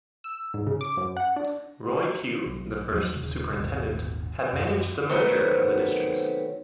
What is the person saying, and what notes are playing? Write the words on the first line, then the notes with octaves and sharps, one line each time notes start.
Roy Pugh, the first superintendent, had managed the merger of the districts.
E6
G#2
C#3
D6
F#2
F#5
D4
B1
E2 F3 F#3 G#3
D#1 C#3
D#1 G#1 D#2 B2
F#2
C3 D#3 F#3 A3 B3 C4